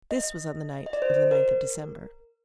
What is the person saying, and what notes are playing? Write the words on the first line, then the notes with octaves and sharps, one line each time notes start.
This was on the night of the ninth of December.
D#5
D#5
D5
C5
C5
A#4